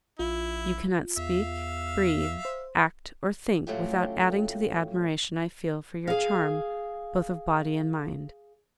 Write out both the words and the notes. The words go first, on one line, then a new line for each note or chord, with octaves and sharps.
You cannot speak, breathe, act, or think, without adding to the admiration I feel for your charm both of body and mind.
A#1 E4 F4
E2 E5 F5
C5
A2 C#3 F#3 A3 F4 G4
G#4 F5